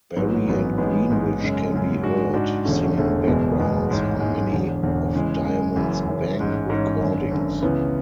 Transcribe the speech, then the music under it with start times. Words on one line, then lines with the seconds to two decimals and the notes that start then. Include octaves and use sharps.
Barry and Greenwich can be heard singing backgrounds on many of Diamond's Bang recordings.
0.16 A1 G#2 F#3 B3
0.47 A1 G#2 F#3 B3
0.78 A1 G#2 G#3 B3
1.09 A1 G#2 G#3 B3
1.40 F#2 C#3 G#3
1.71 F#2 C#3 G#3
2.02 G#2 G#3 D4 F#4
2.34 G#2 G#3 D4 F#4
2.65 E1 E2 D3 A3 C#4
2.96 E1 E2 D3 A3 C#4
3.27 F#1 E2 B2 G#3 B3
3.58 F#1 E2 B2 G#3 B3
3.89 A1 G#2 G#3
4.20 A1 G#2 G#3
4.51 E1 E2 D3
4.83 E1 E2 D3
5.14 C#3 E3 G#3
5.45 C#3 E3 G#3
5.76 F#1 F#2 E3
6.07 F#1 F#2 E3
6.38 A1 G#2 G#3 C#4
6.69 A1 G#2 G#3 C#4
7.00 G#1 F#2 D3
7.31 G#1 F#2 D3
7.62 C#2 C#3 E3 B3 E4